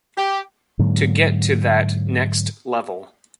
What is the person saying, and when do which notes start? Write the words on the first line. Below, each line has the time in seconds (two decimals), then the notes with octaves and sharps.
To get to that next level.
0.17 G4
0.79 G#2 D3 F#3 A#3